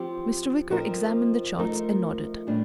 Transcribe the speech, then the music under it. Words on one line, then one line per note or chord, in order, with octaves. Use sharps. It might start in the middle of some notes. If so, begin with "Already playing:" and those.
Mr. Wicker examined the charts and nodded.
Already playing: F3 C4 G4
F3 C4 D#4 A#4
F3 A3 D#4 A#4
A2 G3 D4